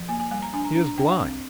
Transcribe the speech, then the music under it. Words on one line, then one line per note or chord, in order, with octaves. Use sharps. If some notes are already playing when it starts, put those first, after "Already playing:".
"He is blind."
Already playing: F3
A#3 G#5
G#5
G3 G#5
A#5
D4 G#5
A#5
D4 A#5
A#5
D4 G5
F5
C4